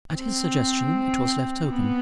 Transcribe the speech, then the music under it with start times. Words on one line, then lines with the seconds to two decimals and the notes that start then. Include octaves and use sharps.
At his suggestion it was left open.
0.14 C4
1.70 B3